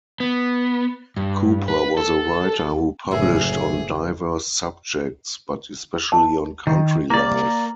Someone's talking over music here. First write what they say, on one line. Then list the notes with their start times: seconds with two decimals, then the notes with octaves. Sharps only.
Cooper was a writer who published on diverse subjects, but especially on country life.
0.20 B3
1.17 G2
1.68 B4
1.97 A4
3.11 F#1 A2 D3 F#3 G#4 E5
6.12 A5
6.67 D#3
7.10 A#3 D5